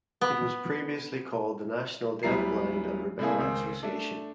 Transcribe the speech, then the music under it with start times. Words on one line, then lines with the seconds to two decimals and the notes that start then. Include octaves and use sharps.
It was previously called The National Deafblind and Rubella Association.
0.21 B3
2.23 D1 G3 B3 E4 A#5 C7
3.19 A2 C3 A3 A#3 E4 G#4
3.39 C#2 D#3 C4
3.83 A3 D4